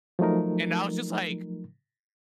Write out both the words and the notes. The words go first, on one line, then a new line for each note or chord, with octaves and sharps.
And, I was just like,
F3 F#3 A3 D#4 A#4